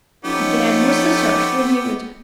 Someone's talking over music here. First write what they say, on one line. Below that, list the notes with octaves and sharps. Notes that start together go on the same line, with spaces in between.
Again was the search renewed.
F3 A3 B3 C#4 D#4 G4